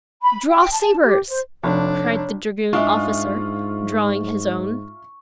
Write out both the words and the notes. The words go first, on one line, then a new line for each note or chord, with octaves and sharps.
"Draw sabers!" cried the dragoon officer, drawing his own.
B5
G5
A5
G4
C5
F1 D4 C#5
G#2 G#3 D4 E4 F4 C#6